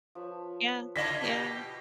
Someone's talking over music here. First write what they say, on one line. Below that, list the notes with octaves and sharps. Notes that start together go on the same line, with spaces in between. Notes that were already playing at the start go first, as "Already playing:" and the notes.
Yeah, yeah.
F3 B4 C#5
C#3 E4 F4 A#6 B6
B2 G4